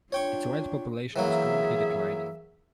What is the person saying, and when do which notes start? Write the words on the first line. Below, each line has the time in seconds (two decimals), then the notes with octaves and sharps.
Its wild population is currently declining.
0.12 D4 F4 C#5 G5 C#6
1.16 E3 F#3 A#3 G#4 E5